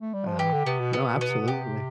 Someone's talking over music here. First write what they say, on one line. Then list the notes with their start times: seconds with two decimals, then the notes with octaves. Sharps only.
Yeah. No, absolutely.
0.02 A3
0.14 G3
0.27 F3
0.39 E3 G4
0.53 D3
0.66 C3 B3
0.80 B2
0.93 B3
1.12 B2
1.21 B3
1.30 C3
1.41 B2
1.48 C3 G4